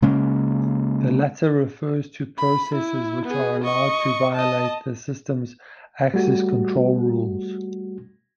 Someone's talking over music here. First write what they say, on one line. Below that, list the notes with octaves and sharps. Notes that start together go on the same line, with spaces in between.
The latter refers to processes which are allowed to violate the system's access-control rules.
C#3 G#3 A#3 C#4
B5
E4
B3 G#4
D#5 C#6
D#5 A5
G3 A3 F#4